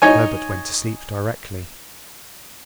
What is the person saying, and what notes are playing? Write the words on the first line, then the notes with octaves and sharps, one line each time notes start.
Herbert went to sleep directly.
D#4 C#5 G#5